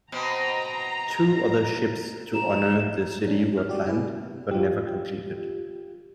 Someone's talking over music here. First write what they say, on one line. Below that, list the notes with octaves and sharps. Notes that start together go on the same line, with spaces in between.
Two other ships to honor the city were planned, but never completed.
B2 C4 A#5
A#5 E7
C#4 D4
F6
F#4 G4 D5
E4 G#4 B4
F4 G4